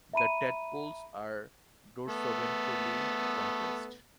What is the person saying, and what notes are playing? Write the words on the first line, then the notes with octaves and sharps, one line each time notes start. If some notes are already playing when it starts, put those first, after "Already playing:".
The tadpoles are dorsoventrally compressed.
E5 A#5 B5 D#7
A3 B3